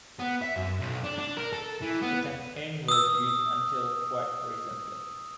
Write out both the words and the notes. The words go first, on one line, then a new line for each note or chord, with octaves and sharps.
The campaign was used until quite recently.
B3
E5
F#2
B1
D4
D4
A#4
A4
E3
B3
D#6 E6